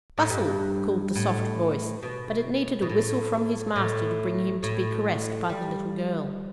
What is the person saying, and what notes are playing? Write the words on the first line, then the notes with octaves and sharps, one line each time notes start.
Bustle!' called the soft voice but it needed a whistle from his master to bring him to be caressed by the little girl.
A2
G2
A2
B2
B2
A2
A2
A2
G3